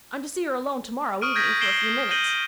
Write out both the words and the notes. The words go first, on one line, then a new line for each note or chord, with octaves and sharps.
I'm to see her alone to-morrow evening for a few minutes.
C#6 D#6 F6 D7 D#7
D#6 G6 G#6 A#6 B6
C7 D7 E7 F#7 G7
G6 A#6 D#7 F#7 G7